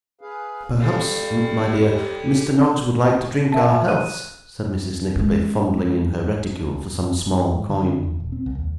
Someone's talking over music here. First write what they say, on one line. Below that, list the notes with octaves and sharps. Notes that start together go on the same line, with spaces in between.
'Perhaps, my dear, Mr Noggs would like to drink our healths,' said Mrs Nickleby, fumbling in her reticule for some small coin.
G#4 B4 F5
G3 G4 A4 F5
A#4 E5 A5
F#6 D#7
G#3 C#4
G#2
D3
E2
D#1
C4
C2
D#2